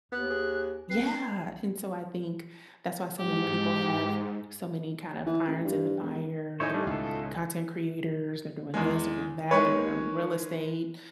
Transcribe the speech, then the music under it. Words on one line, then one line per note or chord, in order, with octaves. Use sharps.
yeah, and so I think that's why so many people have so many, kind of, irons in the fire, they're content creators, they're doing this, they're doing that, they're in real estate,
D#2 B3 F#6
G#4
C4 B4 C7
G#2 G4
E3
A1
G2
E1
A2 D#4 C5 C#5 G#5
G3 A3 D4
C#2 B2 F4 A4
E2 G#3
D#3 G#3 B4 C#5 C#6